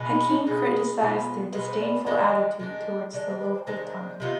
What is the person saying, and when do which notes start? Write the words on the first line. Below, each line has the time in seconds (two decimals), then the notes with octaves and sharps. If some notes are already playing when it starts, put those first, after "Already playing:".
Hakim criticized their disdainful attitude towards the local tongue.
Already playing: B2 G#3 B3 F4
0.11 D#4
0.28 D#4
0.46 B2 G#3 B3 F4 G#4
1.00 B2 G#3 B3 F4
1.53 B2 G#3 B3 F4 B4
1.67 C5
1.80 D5
1.93 D5
2.07 D#3 G#3 D4
2.60 D#3 G#3 D4
3.13 D#3 G#3 D4 D5
3.27 C5
3.40 B4
3.54 C5
3.66 D#3 G#3 D4 C5
3.94 C5
4.20 C3 D#3 B3 F4